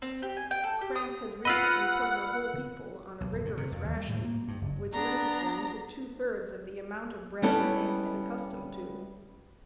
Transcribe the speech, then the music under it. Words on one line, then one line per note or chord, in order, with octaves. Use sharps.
France has recently put her whole people on a rigorous ration which limits them to two-thirds of the amount of bread that they have been accustomed to.
C4
G4
G#5
G5
A4
G4
D#6
F4 B4 D#5 F#5 B5 E6 F6
B1
D1
G2
C3
F2
D#2
G3
A2
A#3
G2
F#1
B3 D4 A#5
G3 B3 C#4 E4 A4